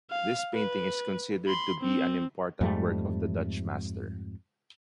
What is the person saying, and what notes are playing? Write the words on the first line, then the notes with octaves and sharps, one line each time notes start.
This painting is considered to be an important work of the Dutch master.
F5
B4
B5 C6
C4
F2 G#2 G3 A3